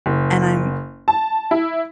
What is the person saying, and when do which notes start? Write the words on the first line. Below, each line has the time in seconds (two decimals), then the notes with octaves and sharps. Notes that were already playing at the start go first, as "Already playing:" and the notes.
and I'm
0.06 F#1
1.08 A5
1.51 E4